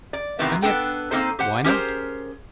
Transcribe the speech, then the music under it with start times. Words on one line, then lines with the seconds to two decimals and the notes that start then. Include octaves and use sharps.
And yet--why not?
0.13 D5
0.39 A2 C3 D#3 E3 A3 B3
0.62 B3 D4 A4 G5
1.11 A#3 C4 C#4 D#4 A4 C5
1.39 G4 C5 F#5
1.64 C#4 G4 G#4 A#4 C5